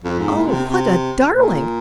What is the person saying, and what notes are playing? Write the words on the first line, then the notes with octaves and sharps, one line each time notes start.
Oh! what a darling!
F2
G#2
A#2
D3
C3
C3
A#2